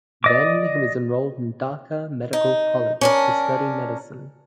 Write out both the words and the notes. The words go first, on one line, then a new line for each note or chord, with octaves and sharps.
Then he was enrolled in Dhaka Medical College to study Medicine.
D5 D#5 D6
D#4
C#4 D4 A#4